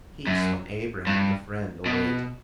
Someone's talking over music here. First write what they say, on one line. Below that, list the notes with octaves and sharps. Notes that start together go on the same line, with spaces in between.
Peace on Abraham the Friend await!
F#2
G2
B2